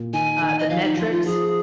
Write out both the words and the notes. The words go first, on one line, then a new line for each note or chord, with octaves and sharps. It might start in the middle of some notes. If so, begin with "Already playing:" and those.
uh, the metrics
Already playing: A#2
D#3 G#5
D#3
D#5
F3 F5
D#4
F3 F4
F4
F3 G#4